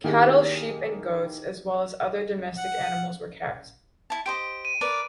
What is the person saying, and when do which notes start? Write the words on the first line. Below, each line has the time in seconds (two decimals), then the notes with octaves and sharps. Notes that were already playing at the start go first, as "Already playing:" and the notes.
Cattle, sheep, and goats, as well as other domestic animals were kept.
0.04 D#3 A#3 E4 G4 G#4
2.57 F#5
4.10 E4 A5
4.26 G4 C5 D#5 D7
4.65 D#7
4.81 A#4 B4 D5